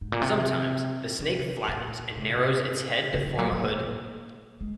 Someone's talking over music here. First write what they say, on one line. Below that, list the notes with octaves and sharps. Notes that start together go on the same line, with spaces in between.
Sometimes, the snake flattens and narrows its head to form a hood.
G#2
A#2
C3
C3
A#2
C3
C#3
F3
F#3
A#3
G#3